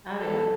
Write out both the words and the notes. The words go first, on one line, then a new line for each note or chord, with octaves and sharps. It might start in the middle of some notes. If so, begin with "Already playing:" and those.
Oh, yeah.
A4